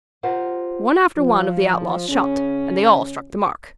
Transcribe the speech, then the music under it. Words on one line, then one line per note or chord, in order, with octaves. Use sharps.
One after one of the outlaws shot, and they all struck the mark.
F4 G4 A#4 C5 F#5
F3
C#3 C#4